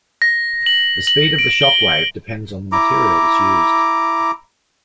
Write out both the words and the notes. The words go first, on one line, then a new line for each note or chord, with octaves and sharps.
The speed of the shock wave depends on the materials used.
A#6
F#7
F#7
D7
G7
E4 A#5 D6